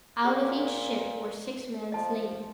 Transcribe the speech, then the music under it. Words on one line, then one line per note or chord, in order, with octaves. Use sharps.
Out of each ship were six men slain.
A#2 G#4 F#5 C#6
F3 D#5 A5